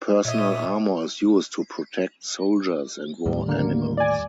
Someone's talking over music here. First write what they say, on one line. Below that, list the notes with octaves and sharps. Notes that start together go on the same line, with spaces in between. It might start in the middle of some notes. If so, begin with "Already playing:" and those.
Personal armour is used to protect soldiers and war animals.
A#2 C#5 D#5 E5
D#2 A2 G3
D3 A#3
D5 G#5